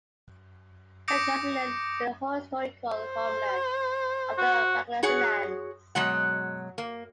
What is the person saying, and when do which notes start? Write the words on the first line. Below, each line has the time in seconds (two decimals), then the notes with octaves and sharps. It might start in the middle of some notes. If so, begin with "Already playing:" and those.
Pangasinan is the historical homeland of the Pangasinans.
1.08 D6 D#6 G6 A#6 C#7 D7
2.96 C5
4.38 F#4
5.03 F#4 G#4 C#5 F#5
5.95 B2 F#3 G#3 F#5
6.78 A#3